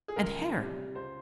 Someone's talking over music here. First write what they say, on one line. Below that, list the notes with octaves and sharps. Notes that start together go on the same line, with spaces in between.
And hair.
G#4
C#2 A#4
C3 G3
C#2 C5